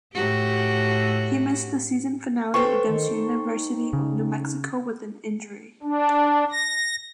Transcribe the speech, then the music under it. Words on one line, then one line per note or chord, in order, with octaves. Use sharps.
He missed the season finale against University of New Mexico with an injury.
A2 F#4 G4
A4 B4 C5 G5 C#6
D#3
D#4
C#3
D4
A#6